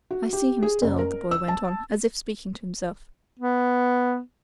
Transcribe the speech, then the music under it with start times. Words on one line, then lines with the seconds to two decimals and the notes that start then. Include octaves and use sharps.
"I see him still," the boy went on, as if speaking to himself.
0.11 F#4
0.33 G4
0.63 G#4
0.82 F#1
0.99 A#4
1.31 E6
1.48 A5
3.40 B3